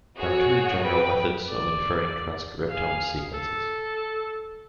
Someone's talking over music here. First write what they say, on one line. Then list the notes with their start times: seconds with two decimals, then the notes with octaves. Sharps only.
There are two general methods of inferring transcriptome sequences.
0.16 F#4 G#4 C#5
0.81 B4 G5
1.49 D5
2.70 G#4 F5
3.34 A4